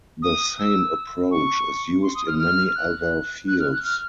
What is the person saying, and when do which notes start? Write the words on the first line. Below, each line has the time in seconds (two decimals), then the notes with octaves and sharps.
The same approach is used in many other fields.
0.22 D#6
0.58 E6
1.31 C#6
2.03 C6
2.15 D#6
2.27 F6
2.39 F6
2.75 F#6
3.48 F#6
3.60 F6
3.71 F#6
3.84 F6